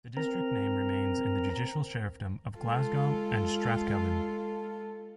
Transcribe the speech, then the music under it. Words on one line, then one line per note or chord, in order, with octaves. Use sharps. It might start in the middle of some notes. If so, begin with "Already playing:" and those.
The district name remains in the judicial Sheriffdom of 'Glasgow and Strathkelvin'.
C4 A#4 A#5
G#3 F4 A4